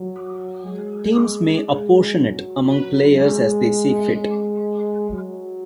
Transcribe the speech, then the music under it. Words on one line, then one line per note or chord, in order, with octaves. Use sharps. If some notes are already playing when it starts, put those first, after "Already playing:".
Teams may apportion it among players as they see fit.
Already playing: F#3
G#3
G#3
F#3
G#3
G#3
F#3